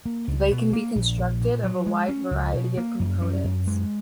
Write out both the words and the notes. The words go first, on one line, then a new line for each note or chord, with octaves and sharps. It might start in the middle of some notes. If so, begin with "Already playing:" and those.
They can be constructed of a wide variety of components.
A#3
C#2
B2
A#3
A#1
A#1
A#2
F#3
G#3
C#4
C#2
B2
A#3
F#2
C#4
F#2
G#3